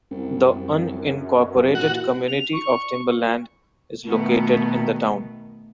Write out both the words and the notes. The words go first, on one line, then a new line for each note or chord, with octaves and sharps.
The unincorporated community of Timberland is located in the town.
C2 F#2
A#2 E3 F#4
F7
C#6
B2 D#3 A3 B3